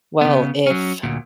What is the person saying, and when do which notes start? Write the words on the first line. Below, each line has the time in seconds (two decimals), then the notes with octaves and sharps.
"Well, if,
0.21 C#3 B3
0.66 F#3 C#4
1.03 D2 A#2